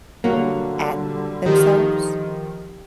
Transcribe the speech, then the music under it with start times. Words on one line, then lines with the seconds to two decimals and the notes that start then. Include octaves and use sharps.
at themselves,
0.24 D3 F#3 G3 A#3
1.46 D#3 F3 G4